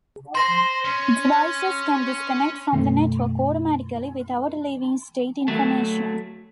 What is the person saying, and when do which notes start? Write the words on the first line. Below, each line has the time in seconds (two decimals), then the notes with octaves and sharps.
Devices can disconnect from the network automatically without leaving state information.
0.35 C5 C6 A#6
0.85 C#4
2.72 F#2 B2 A3
5.48 F#3 A3